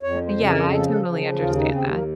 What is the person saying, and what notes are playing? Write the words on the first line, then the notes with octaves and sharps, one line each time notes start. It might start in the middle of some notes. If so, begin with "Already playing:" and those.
Yea Yeah I totally understand that.
F2 C#5
C5
C#3
A#4
F3 A4
A4
C#3
D#2 F4
D#4
D#2 C4
A#3